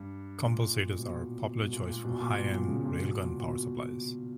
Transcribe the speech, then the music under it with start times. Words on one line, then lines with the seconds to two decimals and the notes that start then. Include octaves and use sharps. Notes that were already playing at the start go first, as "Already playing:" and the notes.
Compulsators are popular choices for high-end railgun power supplies.
Already playing: G2
0.44 A#2
0.99 B2
1.09 A#2
1.63 B2
1.73 A#2
1.89 A#2
2.05 B2
2.21 A#2
2.37 B2
2.52 A#2
2.68 C#3
2.84 A#2
3.00 B2
3.22 A#2
3.43 B2